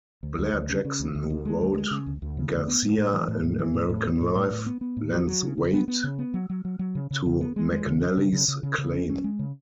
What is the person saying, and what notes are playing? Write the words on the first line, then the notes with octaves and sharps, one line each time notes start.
Blair Jackson, who wrote "Garcia: An American Life", lends weight to McNally's claim.
D2
D2
D2
C#3
C#3
D2
D2
D2
G#3
D2
G#3
C#3
D2
D2
C#3
D2
B3
A2
A2
E3
A2
A2
E3
A2
A2
B3
A2
A2
A2
B3
B3
A2
F#3
F#3
C#3
C#3
B3
B3
C#3
B3
F#3
F#3
F#3
F#3
C#3
C#3
C#3
B3
G#3
G#3
C#3
C#4
C#3
C#3
C#3
C#3
C#3
C#4
C#4
G#3
C#3